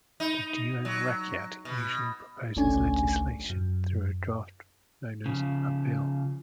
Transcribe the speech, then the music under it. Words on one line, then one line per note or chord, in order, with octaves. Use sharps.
The "Dewan Rakyat" usually proposes legislation through a draft known as a 'bill'.
D#4
F#3
B2
G#1 C#2 A3 C#4 D4 G#5
F#2
C#3 F3